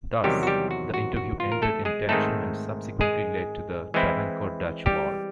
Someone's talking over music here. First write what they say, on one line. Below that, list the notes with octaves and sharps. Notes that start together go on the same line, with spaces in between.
Thus, the interview ended in tension and subsequently led to the Travancore-Dutch War.
E2 C3 D#3 F#3 G3 G4
F#4
G3 G4
F#4
F#4
F#4
F4
A#4
A3 A4
G#3 G#4
G#2 D#3 G#3 A3 C4 D#4 A4
G#3 G#4
E3 G#3 C4 E4
G3 G4